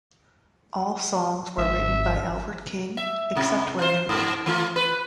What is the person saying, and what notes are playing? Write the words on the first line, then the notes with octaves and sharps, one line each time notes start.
All songs were written by Albert King, except where noted.
G#1 E5
E5
A2 C3
F4 C5
G#2
E3 A3 F4
B4